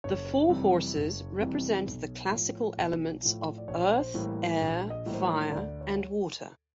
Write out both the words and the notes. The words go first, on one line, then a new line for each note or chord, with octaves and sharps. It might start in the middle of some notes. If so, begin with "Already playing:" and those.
The four horses represent the classical elements of earth, air, fire, and water.
F#1 C#5
F2 C3 E3 G3
F#1
F2 C3 E3 G3
B1
A2 F3
B1
A2 F3
D5
A#1 C#5
C5
A2 E3 G3 A#3
A#1
D#5
A2 E3 G3 A#3
C5
C#5
D2 D5
C#5